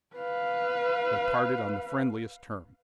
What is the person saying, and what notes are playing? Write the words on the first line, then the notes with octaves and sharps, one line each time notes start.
They parted on the friendliest terms.
B4 F5